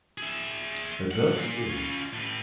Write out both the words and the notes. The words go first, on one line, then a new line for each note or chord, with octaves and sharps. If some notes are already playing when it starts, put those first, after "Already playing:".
A dog swims.
G#4 E5
C2 F#5
A#2
C#4 F4
A2 B4